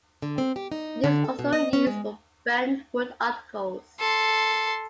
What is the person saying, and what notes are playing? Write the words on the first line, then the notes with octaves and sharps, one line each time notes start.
It is also used for bentwood articles.
D3
C4
G4
D#4
D3
A4
B2
D#5
C#4
G#3
A4 C6